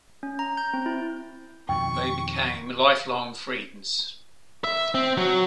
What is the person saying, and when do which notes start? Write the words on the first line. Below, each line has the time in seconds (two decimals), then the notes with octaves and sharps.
They became lifelong friends.
0.23 C#4
0.39 A#5
0.57 G6
0.74 C4
0.86 E4
1.69 F2 B2 D#3 G5 C#6
4.64 E5
4.95 C4
5.17 F#3